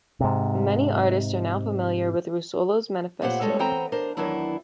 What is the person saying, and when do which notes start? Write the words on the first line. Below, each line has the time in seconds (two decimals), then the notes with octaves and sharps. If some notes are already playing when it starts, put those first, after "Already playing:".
Many artists are now familiar with Russolo's manifesto.
0.20 G#2 C3
3.22 A#2 B3 G4 C5 F#5
3.41 G3 G#3 A4 C#5
3.59 E3 B3 C4 C5 G5 A#5
3.92 D4 A#4 C5
4.17 E2 D#3 E3 F#3 D4 E4